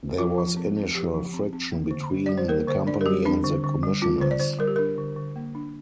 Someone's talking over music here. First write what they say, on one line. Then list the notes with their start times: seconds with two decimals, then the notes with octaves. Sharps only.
There was initial friction between the company and the commissioners.
0.18 F3 F4
0.38 F3
0.57 C4
0.77 C4
0.95 F3 G4
1.14 F3
1.34 C4
1.53 C4
1.71 A#3
1.91 D3
2.10 D4
2.26 G3 D5
2.38 C5
2.48 A#3 A#4
2.68 D3 C5
2.87 D4 D5
3.01 A#4
3.06 G3 G4
3.25 C4 D4
3.44 D3
3.64 D3
3.83 G3
4.02 C4 F4
4.21 D3 C5
4.31 D5
4.40 D3 C5
4.59 G3 A#4
4.67 G4
4.76 D4 A#4
4.98 D3
5.17 D3
5.36 A#3
5.55 D4